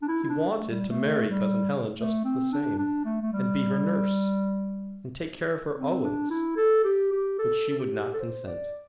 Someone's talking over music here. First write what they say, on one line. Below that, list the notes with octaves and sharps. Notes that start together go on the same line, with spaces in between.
He wanted to marry Cousin Helen just the same, and be her nurse, and take care of her always; but she would not consent.
D4
E4
E4
D4
A3
G3
A3
G3
A3
C4
D4
D4
A3
A3
G3
C4
D4
E4
A4
G4
G4
A4
A4
G4
A4
C5
D5